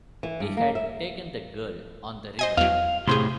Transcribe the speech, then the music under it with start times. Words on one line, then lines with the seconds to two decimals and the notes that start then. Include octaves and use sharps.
He had taken the girl on the river.
0.23 E3
0.40 G2
0.57 A#3
0.75 E5
2.39 C5 D#5 G#5
2.57 E2 F#3 F5
3.07 A2 C3 C4 G#4 C6